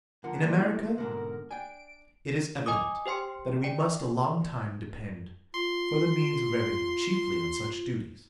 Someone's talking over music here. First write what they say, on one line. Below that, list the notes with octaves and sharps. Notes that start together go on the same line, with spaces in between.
In America, it is evident that we must a long time depend for the means of revenue chiefly on such duties.
D3 F3 A#4 F#5
G2 A#2 G3 D5
E4
G#2 B2 D3 A#4
D4 G5 G#5 D7
D#5 G#5 D6 D#6
G4 C5 G5 C6 C#7
D5 G5
F4 C6